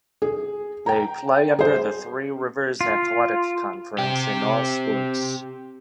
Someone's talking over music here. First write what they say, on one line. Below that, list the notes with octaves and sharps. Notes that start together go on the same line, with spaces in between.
They play under the Three Rivers Athletic Conference in all sports.
G#4
G5 A#5
G#4 C5
F4
C4 G4